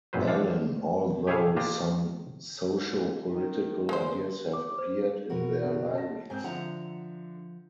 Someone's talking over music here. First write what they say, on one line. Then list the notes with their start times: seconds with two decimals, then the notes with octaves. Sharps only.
Allin, although some socio-political ideas have appeared in their lyrics.
0.13 G#1 F#2 A#2 F#3 B4 C5
0.27 E3 F3 D4 F5 F#5 A5
1.27 G4 G#4 C#5 E5 F5 G#5
1.57 A#3 D4 F4 G4 D5 D#5
2.73 G#2
3.33 D#3
3.89 G1 G#3 C5
4.53 D6
4.78 C5
5.30 B2 F#4 A#4
5.63 F#1 B1 D4
5.95 A5 A#6
6.30 G#2 C4 G#5 G6
6.44 D3 F3 E5 F#5 A#5